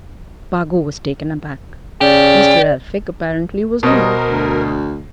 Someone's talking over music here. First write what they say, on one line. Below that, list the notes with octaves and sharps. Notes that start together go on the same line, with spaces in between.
Spargo was taken aback: Mr. Elphick apparently was not.
C#3 G4 D5
B2 G3 A#4 C5 D#5
D2